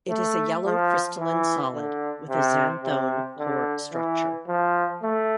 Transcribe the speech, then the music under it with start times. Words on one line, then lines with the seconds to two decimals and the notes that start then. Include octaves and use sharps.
It is a yellow crystalline solid with a xanthone core structure.
0.10 A3
0.66 F3
1.20 E3
1.74 D3
2.29 C3
2.84 C3
3.38 D3
3.93 E3
4.48 F3
5.02 A3